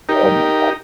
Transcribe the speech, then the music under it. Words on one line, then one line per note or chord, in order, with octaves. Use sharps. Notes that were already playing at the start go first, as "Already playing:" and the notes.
Oh my god,
D#4 G4 A#4